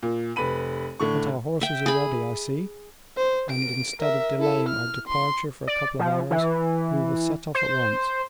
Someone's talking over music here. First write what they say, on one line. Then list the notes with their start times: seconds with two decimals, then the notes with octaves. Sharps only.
But our horses are ready, I see; and, instead of delaying our departure for a couple of hours, we will set off at once.
0.03 A#2
0.36 F1 B4 B5 D#7
1.00 A2 D3 C#6
1.61 E5 G5
1.86 G#4 B5
3.17 C5
3.51 D7
4.00 A#4 E5
4.39 E4 A4
4.69 F6
5.08 C6
5.67 D5
5.99 F3
6.31 E3
7.55 C5